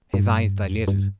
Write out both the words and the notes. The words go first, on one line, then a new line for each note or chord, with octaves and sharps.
His eyes dilated.
G2
F2
G2